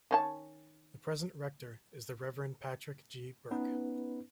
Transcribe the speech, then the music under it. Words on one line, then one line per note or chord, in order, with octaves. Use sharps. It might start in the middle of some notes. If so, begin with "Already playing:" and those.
The present rector is the Reverend Patrick G. Burke.
D#3 C#4 A5
B3 C#4 D#4 B4